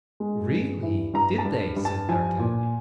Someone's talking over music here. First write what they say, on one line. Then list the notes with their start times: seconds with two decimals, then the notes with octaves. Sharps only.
"Really, did they?" said D'Artagnan.
0.20 G#3
0.52 G2
0.82 E3
1.14 G2 A#5
1.38 A5
1.45 G2
1.76 G2
1.85 A5
2.08 F3 G#5
2.39 A#2